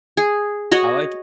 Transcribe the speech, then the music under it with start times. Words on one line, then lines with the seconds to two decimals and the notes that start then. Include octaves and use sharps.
I like
0.17 G#4
0.71 F#4 C#5 D#5 F#5